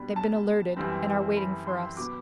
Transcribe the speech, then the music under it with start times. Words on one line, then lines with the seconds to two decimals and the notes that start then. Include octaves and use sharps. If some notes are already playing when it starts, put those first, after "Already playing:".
"They've been alerted and are waiting for us."
Already playing: B2 G3 D4 B5
0.16 A5
0.77 F#2 E3 G3 C4
1.37 B5
1.67 C6
1.97 B2 F#3 B3 D6